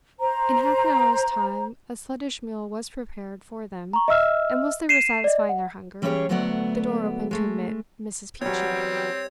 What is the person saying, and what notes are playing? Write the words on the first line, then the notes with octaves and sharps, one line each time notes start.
In half-an-hour's time a sluttish meal was prepared for them, and whilst they were satisfying their hunger, the door opened to admit Mrs. Peachey.
C5 A#5
A#5 C#6
D#5 E5 E6 F6
C7 D#7 E7
D5 D#5
F#5
E3 G3 C#4 G4 G#4 C#5
D2 F#3 A3 B3 D5 F#5
G#3 A3
E2 F#3 G3 C4 C#5